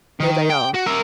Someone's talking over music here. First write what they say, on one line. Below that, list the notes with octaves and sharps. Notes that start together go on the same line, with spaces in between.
"Here they are."
D#3
G5
F#4
A#4 E5